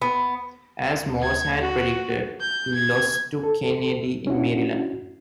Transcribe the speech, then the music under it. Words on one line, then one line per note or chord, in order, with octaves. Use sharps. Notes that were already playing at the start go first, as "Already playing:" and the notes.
As Morse had predicted, he lost to Kennedy in Maryland.
B3
G#6
F#4
G6
G#6
A4
C#4 D4 E4 F#4